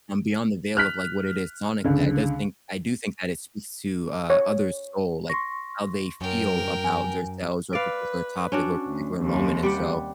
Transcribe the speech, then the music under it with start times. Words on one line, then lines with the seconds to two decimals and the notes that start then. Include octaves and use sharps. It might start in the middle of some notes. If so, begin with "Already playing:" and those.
um, beyond the veil of like what it is sonically, I does think I do think that it speaks to, uh, others' soul, like how they feel about their selves, or a particular topic, or a particular moment, and, so,
0.77 F6 F#6 B6
1.84 C#2 D3
4.30 C#5
5.30 C6 C#6 A#6
6.21 F#2 A#4 G5
6.84 G#5
7.73 B4 D5 F5
8.52 C#4 D4 F#4
8.86 D2
9.22 D#2 C3
9.63 G3 G4 F#5